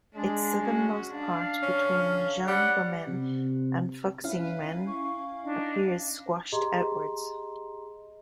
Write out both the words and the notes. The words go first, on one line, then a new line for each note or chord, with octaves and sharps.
Its southernmost part between Jianguomen and Fuxingmen appears "squashed" outwards.
G#3 D4
C#4 F#4
D4 F5
D3 C#4
G3 F#5
C3
C#4 E4 B4 F5
C#6
D4 D#4 D#5
G4 G#4 D#5 A#5 C6